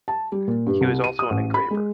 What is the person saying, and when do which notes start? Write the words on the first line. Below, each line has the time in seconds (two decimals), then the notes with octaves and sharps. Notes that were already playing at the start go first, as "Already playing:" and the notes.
He was also an engraver.
0.08 A5
0.32 G3
0.48 A#2
0.67 G2
0.81 C2
1.04 D#7
1.19 D#6
1.30 A1
1.54 B5
1.71 G#3